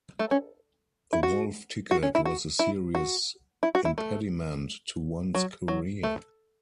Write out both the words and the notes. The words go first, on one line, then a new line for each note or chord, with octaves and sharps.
A wolf ticket was a serious impediment to one's career.
A3
C#4
E4
F#4
F#4
C#4
E4
F#4
E4
F#4
E4
F#4
E4
A3
F#3
F#3
A3